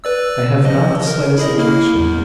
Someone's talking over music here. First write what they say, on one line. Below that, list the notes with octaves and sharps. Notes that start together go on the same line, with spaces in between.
I have not the slightest objection.
B4 D5 E6
F3 D#5
A#4
E4 G#4 D#5
A#3 E4 F6
E2